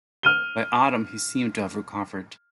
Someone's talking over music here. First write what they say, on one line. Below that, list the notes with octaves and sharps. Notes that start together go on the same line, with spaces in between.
By autumn he seemed to have recovered.
F6 D#7 G7